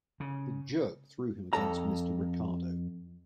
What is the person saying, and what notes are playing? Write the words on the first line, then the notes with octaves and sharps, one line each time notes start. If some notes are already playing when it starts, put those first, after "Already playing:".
The jerk threw him against Mr. Ricardo.
C#3
F2 A4 A#5